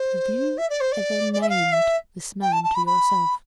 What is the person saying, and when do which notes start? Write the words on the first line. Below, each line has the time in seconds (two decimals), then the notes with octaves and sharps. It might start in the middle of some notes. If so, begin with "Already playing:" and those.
"Have you ever named this man to yourself?"
Already playing: C5
0.58 E5
0.70 D5
0.81 C5
0.92 D5
1.33 D5
1.42 E5
1.49 F5
1.73 E5
2.42 G5
2.52 A5
2.64 A5
2.75 B5
2.86 B5